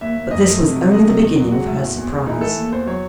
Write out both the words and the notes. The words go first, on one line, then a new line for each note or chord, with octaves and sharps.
But this was only the beginning of her surprise.
D#2 E5
D#2
F#2 D#5
A3
C3
F#3
G#3 D#5
C3
E2
F#3
G#3 F#4
A2
E2
E2
G#3
E3 D#4
A3 A4
D#2
E2 C5
F#3 C#5